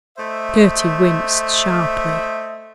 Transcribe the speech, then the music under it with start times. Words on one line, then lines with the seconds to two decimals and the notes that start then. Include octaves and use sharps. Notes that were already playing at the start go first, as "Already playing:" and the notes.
Gerty winced sharply.
0.18 A3 C5 D#5 E5